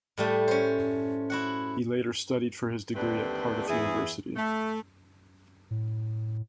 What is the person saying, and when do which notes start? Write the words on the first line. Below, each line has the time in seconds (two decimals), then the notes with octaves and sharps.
He later studied for his degree at Cardiff University.
0.17 A2 G3 A3
0.48 C#4 C5
1.30 E4 F#4 F#5
2.95 D#2 D3 G3 A3 C4 B4
3.68 E2 E3 E4 G#4
4.36 A3
5.71 A2